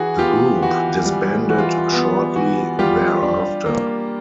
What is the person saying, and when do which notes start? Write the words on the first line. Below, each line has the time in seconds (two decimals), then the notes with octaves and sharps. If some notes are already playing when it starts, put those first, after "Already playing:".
The group disbanded shortly thereafter.
Already playing: E3 F#4 G#4
0.19 B3 F4 G4
0.62 E3 F#4
1.05 G3
1.49 E3 F#4
1.58 F4
1.78 F4
1.93 B3
2.36 E3 F#4
2.79 G3 F4 G4
3.23 D4
3.66 A#3